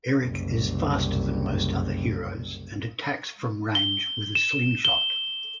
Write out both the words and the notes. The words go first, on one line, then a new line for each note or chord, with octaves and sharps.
Erik is faster than most other heroes, and attacks from range with a slingshot.
F#1 C2
G7
E7
G7